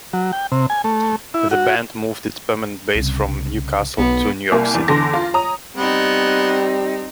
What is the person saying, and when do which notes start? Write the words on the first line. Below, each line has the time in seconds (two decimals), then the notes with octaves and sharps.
The band moved its permanent base from Newcastle to New York City.
0.13 F#3
0.33 G5
0.52 C3
0.70 G#5
0.84 A3
1.34 E4
1.51 F#4
2.95 C2 C#3
3.98 B1 B3
4.52 C2 A#3 G#5
4.75 E2
4.88 E2 D3 A5 C6 A#6
5.13 F4
5.34 C#5 A#5 D#6
5.76 G3 B3 C4 D#4